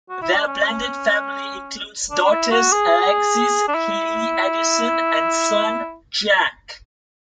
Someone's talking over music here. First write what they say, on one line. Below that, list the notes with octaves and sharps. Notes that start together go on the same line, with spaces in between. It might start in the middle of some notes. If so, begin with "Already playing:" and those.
Their blended family includes daughters Alexis, Hailey, Addison and son, Jack.
F#4
E4
D4
C#4
D4
D4
E4
F#4
G#4
D4
E4